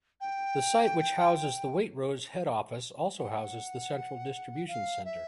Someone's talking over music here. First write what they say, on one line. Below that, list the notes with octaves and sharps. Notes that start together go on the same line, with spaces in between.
The site which houses the Waitrose head office also houses the central distribution centre.
G5
F#5
F5
E5